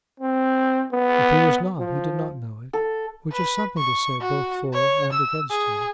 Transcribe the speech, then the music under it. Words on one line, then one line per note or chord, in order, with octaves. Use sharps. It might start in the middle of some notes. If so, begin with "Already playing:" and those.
If he was not, he did not know it, which is something to say both for and against him.
C4
B3
F3
A4
B4
C#6
F#4
C#5
E6
G#4